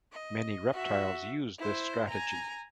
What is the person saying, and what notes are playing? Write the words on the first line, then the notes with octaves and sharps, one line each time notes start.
Many reptiles use this strategy.
D#5
F#4 E5
E4 C5
G#5 A#5